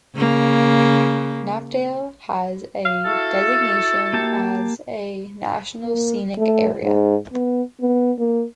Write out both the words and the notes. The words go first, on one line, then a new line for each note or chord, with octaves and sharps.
Knapdale has a designation as a National Scenic Area.
C#3 A#3
F5
E4 F#4 A4
A#3 G4 A5
A#3
A3
G#2
B3
B3
A#3